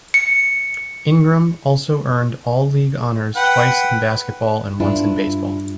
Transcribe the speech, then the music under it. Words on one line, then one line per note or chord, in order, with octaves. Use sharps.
Ingram also earned All-League honors twice in basketball and once in baseball.
C#7
B4 F#5 G5
G2 D4 E4 F4